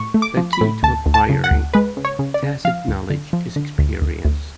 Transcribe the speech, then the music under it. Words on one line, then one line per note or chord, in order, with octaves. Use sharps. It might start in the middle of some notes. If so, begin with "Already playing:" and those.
The key to acquiring tacit knowledge is experience.
Already playing: A2 C#6
A3
D6
F3
B5
A2
D2 A5
D2
A5
C#3
F#5
D2
G#3 B4
C#3
C#5
C#3
D5
C#3
F3 F5
D2
D3
F3
D3
D2
D2
D2